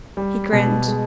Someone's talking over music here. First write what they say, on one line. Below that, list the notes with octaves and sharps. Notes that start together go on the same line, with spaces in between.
He grinned.
G3
B2
G#3